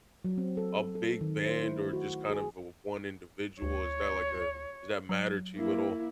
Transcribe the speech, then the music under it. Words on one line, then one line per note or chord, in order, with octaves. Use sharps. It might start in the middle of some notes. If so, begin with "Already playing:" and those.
a big band or just kind of the one individual? Is that like a Does that matter to you at all?
F#3
C4
A4
A4
D#3
C5
E4
A3
F#4
G#4
D2 C#5
F#3
A#3 E4